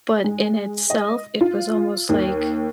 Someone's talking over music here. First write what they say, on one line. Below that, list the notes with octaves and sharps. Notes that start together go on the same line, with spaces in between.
but in itself, it was almost like
G#3
D#5
F4
D#2